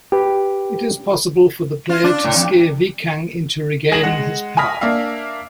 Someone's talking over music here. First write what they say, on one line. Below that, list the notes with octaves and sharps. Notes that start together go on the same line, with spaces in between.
It is possible for the player to scare Viekang into regaining his power.
G4 B4
F4
D4
A2
F2
G#1 G#4 A#6 E7 F#7
G#3 F#5
G#5 B5 D#6 F6 A#6 B6
A#3 D4 E5 F5